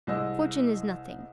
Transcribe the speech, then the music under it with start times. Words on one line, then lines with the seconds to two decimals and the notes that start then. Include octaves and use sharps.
Fortune is nothing.
0.07 C2 G#3 D#5 E6